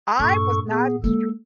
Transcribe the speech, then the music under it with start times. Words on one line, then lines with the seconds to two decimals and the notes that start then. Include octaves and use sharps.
I was not stru
0.20 G2 A#2 A4 C#6
0.69 B3 G#4
1.04 G#3 A#3 A4